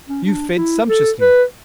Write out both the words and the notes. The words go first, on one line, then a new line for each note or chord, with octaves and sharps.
You fed sumptuously.
C#4
D4
E4
A4
B4